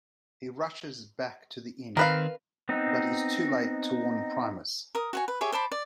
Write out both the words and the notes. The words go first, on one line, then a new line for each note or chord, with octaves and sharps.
He rushes back to the inn, but is too late to warn Primus.
D#3 C4 A#4 B4 F5
B3 C4 D#4
A#4 D#6
F#4 C#5 G#5
B4
G4 G#4 C#5 E5
C5 D5 A5 B5
D5